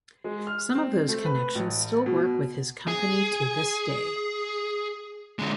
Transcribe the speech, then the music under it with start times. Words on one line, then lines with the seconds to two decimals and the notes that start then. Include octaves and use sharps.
Some of those connections still work with his company to this day.
0.24 G#3
0.47 F6
0.75 C4
1.08 A3
1.26 B4
1.55 A1
2.06 B2
2.88 G#4
5.39 D3 G#3